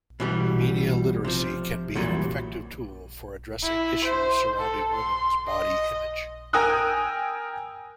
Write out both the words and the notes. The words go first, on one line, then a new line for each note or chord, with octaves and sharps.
Media literacy can be an effective tool for addressing issues surrounding women's body image.
B2 E3 G3
C3 F3
E2 A#2 F#3 G3
E4
C5
A4
C6
D#5
A#4 G5 G#5 D#6 E6 F#6